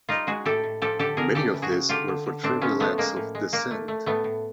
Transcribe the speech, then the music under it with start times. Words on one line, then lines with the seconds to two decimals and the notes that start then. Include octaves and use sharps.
Many of these were for trivial acts of dissent.
0.09 G3 D#4 F4
0.27 G#3 F#4 G#4
0.45 A2 G4 A4
0.64 A2
0.82 F3 G4 A4
0.99 D3 G4 A4
1.17 D3 G#4 A#4
1.35 C#3 G4 A4
1.54 E3
1.62 F#4 G#4
1.71 C#3
1.89 D3 F4 G4
2.08 D3
2.26 D3
2.43 A2 C4 D4
2.62 F3 B3 C#4
2.80 F3 A3 B3
2.98 G#3 A#3
3.16 A2
3.35 G#3
3.52 A#2 A#3
3.71 A3
3.88 A3
4.06 A2 A3 B3
4.24 A2